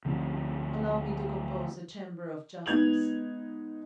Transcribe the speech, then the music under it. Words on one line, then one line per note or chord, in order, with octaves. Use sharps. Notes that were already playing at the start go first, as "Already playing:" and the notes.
"Allow me to compose a chamber of justice."
D2 D3 F3 C4
G#3 B3 D#4 G#6 F7 F#7